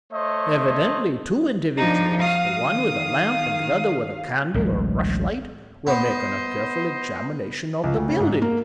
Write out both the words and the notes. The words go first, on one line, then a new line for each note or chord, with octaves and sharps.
Evidently two individuals, the one with a lamp and the other with a candle or rushlight, were making a careful examination of the building.
A3 C5 C#5 D#5
F3 D4 D#4
F#4 F5 D#6
D#3 F5
A1 D2 F#3 G#3
B3 C5 D#5
C#2
D2
C#3
G#2
A#3